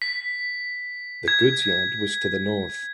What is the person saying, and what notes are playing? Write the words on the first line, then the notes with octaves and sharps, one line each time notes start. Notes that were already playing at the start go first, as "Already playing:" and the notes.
The goods yard was to the north.
B6
G#6